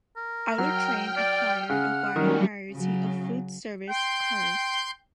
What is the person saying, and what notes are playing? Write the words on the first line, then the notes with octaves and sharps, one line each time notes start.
Auto-Train acquired a wide variety of food service cars.
A#4
F#3 G5 F6
D5
C#3 F#5
D#3 F#3 G3 C#4 A#4
C#3 F#3
G5 C6 G6